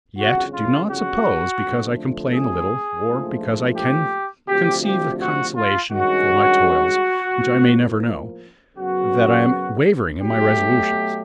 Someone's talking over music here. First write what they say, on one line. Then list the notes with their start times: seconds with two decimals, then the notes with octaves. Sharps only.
Yet do not suppose, because I complain a little or because I can conceive a consolation for my toils which I may never know, that I am wavering in my resolutions.
0.17 G1 F2 C#3 F#4
0.53 F4
0.89 F#4
1.61 F2 D3 F3 A3
2.32 G#4
3.04 A#1 G#2 F3 A3
3.76 G4
4.48 D2 C3 F3 G4
4.83 G4
5.20 F#4
5.55 F4
5.91 G2 D#3 G#3 C#4 F#4
7.34 A2 F3 A#3
8.77 F#2 C#3 F#3 B3 F#4
10.21 B2 F#3 A3 G4